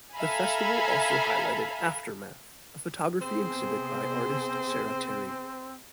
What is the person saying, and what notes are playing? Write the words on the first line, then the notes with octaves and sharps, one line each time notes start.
The festival also highlighted "Aftermath," a photography exhibit by artist Sara Terry.
A4 E5 F5 G#5 A#5 B5
C3 B3 C4 G#4 C5